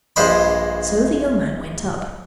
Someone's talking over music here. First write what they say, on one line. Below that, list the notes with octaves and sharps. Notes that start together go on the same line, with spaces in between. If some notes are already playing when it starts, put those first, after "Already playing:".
So the young man went up.
A#1 G2 G#3 C5 D#5 B5